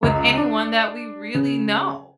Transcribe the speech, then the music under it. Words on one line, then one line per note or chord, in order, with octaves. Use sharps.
with anyone that we really know.
C#2
D4
C#3